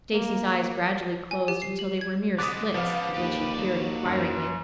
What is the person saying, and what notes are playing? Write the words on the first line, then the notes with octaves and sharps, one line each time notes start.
Stacy's eyes gradually closed until they were mere slits, through which he peered inquiringly.
A#3
G#5
G4
C7
F#7
G#6
D3 G#3 D6 D#6 F#6 A6 B6
C#3 F3 B3 F5
D#2 G4 B4
F#3 D5
F#2